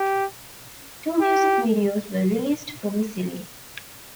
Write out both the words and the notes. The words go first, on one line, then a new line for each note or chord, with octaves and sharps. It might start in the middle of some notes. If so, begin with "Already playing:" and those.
Two music videos were released for Missile.
Already playing: G4
G4